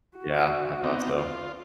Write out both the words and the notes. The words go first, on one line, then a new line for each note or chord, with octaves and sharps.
Yeah. I thought so.
F#4
B3 C4 D#4
F4